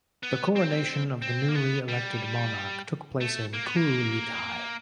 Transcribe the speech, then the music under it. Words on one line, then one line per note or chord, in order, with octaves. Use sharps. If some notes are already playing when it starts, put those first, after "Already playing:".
The coronation of the newly elected monarch took place on Kurultai.
B3
C4
C4
A#3
B3
G3
A3
A#3
B3
A#3